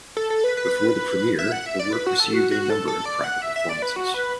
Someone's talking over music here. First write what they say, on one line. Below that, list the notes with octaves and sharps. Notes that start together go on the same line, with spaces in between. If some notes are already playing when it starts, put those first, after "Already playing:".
Before the premiere the work received a number of private performances.
A4
A4
B4
B4
E5
F#5
E5
D5
B4
F#4
A4
F#4
F#4
A4
A4
D5
F#5
E5
E5
D5
B4
F#4
B4